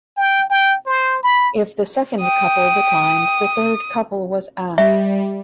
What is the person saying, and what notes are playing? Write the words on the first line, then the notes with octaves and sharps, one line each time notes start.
If the second couple declined, the third couple was asked.
G5
G5
C5
B5
G5 D#6
G3 E5